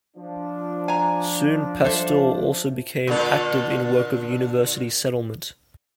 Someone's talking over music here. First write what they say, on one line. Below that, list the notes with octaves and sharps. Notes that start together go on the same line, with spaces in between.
Soon Pastor also became active in work of University Settlement.
F3 D4
G#5 A#5
A4 C5 E5
A#2 D3 A4